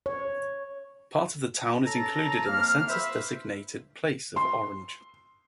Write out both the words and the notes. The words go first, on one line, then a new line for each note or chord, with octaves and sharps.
Part of the town is included in the census-designated place of Orange.
C#5
C#4 A4 A5 A#5
F2 A#3 F5 F6
B4 C5 E5
C6